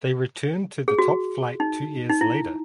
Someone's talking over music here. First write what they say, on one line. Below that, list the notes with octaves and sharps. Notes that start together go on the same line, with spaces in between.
They returned to the top flight two years later.
G#4
F#4
D#4
D#4
E4